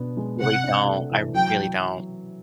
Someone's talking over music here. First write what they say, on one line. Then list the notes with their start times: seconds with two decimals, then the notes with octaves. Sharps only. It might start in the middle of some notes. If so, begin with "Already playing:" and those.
Really don't, I really don't.
Already playing: B2 B3 D4
0.17 G#3
0.40 C3 F#5
0.64 D4
0.86 A3
1.11 E3
1.34 F#3 G5